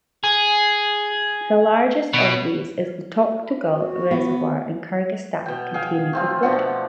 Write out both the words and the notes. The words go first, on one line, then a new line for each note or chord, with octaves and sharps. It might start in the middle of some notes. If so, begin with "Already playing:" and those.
The largest of these is the Toktogul Reservoir in Kyrgyzstan containing of water.
G#4
B2
F#4
B3
B2 G5
G#4 F5 G5
A3 C4 F4
B2 F3 D4 F#5